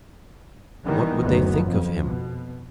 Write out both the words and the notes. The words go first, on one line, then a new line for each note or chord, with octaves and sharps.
What would they think of him?
D#3 E3 G3 B3
F#1 D2 D#3 F#3 B3
F2
B2